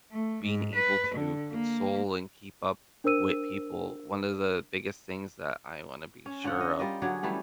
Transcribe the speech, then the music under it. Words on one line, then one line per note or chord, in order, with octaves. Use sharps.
being able to console and keep up with people. One of the biggest things that I wanna be sure of
A3
G#2
B4
D3
A#3
D4 A#4 C5 E6 D#7
C#4
D3 C#4 F4 F#5
D#5
G3 F4 A#4 D#5
D3 F#3 G#4 C#5
E3 G3 A3 C#4